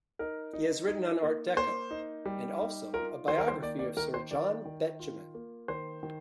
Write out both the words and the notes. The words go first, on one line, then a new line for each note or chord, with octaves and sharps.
He has written on Art Deco, and also a biography of Sir John Betjeman.
D#4 A#4
D#4
D#4
A#3
A#3 C5
D#4
G3
D#4
F4 A#4
D#3 C5
A#4
C5
A#3 D5
D5
D#3 A#4
C5
D#3 D5
D#3
F4
A#3
D#3 C5
D#3